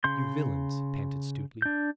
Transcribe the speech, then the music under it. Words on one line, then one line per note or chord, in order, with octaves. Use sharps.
"You villains," panted Stuteley.
C#3 C6 G6
D4 G6